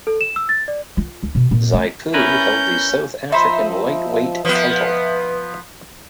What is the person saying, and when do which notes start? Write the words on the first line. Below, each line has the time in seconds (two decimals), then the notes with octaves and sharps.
Xipu held the South African lightweight title.
0.07 A4
0.21 E7
0.36 E6
0.49 A6
0.68 D5
0.97 F4
1.23 D2
1.35 B2
1.51 A#2
1.73 A3
2.14 C#4 E4 A#4 B4 G6
3.32 F3 D#4 C5 E5 B5
4.45 F3 B3 B4